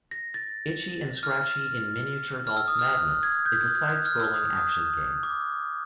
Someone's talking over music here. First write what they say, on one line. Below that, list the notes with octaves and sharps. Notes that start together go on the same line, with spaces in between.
"Itchy and Scratchy in Miniature Golf Madness" is a side-scrolling action game.
A#6
A6
F6
F6
E6
D#6
F6
F#6
G#6
G6
F#6
F#6
F#6
F6
E6
D#6
D#6
D6